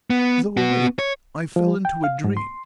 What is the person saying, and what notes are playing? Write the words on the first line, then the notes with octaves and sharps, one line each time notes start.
Though awake I fell into a dream.
B3
B3 F#4
C#5
F3
G5
F5
G#2
C6